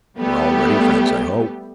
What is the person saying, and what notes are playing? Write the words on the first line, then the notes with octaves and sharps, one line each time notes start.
"We are already friends, I hope."
G3 A3 B3 G4